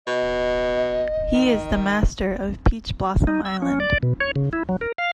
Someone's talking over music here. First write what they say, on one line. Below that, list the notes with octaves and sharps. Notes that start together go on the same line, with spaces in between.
He is the master of Peach Blossom Island.
B2 D#5
D#3
D#4
E6
C#4
D5
B2
C#5
C#3
E4
F#3
A#4
F5